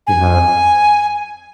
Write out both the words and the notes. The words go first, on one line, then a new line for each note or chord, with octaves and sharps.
You have.
G#5